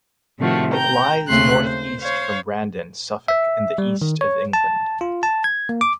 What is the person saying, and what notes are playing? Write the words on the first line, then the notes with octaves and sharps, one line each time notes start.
It lies north east from Brandon, Suffolk in the East of England.
A2 C3 D#3 F3 A3 F#4
G5 A#5 G6
D#2 C#3 A3 C4 C6 F#6
C5
C5 C#5 F5
E5
G3
D#3
C#5
A5
F4
A5
G#6
A#3
D6